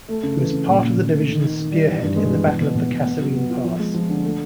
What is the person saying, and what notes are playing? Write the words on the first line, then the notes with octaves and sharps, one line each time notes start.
It was part of the division's spearhead in the Battle of the Kasserine Pass.
A3
C#3
E3
C#3
A#2
A#2
A#2
A3
D#3
D#3
D#3
G3
E3
G2
G#3
E3
B2
B2
B2
B2
B3
F#3
B3
F4
F3
G#3
F3
D3
A3